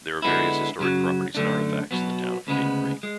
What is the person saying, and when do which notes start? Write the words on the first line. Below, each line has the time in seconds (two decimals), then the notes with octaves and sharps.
There are various historic properties and artifacts in the town of Cave Creek.
0.22 D3 G#3 B3 E4
0.79 F#2 C#3 F#3
1.35 F#2 D3 A3 D4
1.91 B1 B2 F#3 B3
2.47 D2 C#3 G#3 B3
3.03 G#3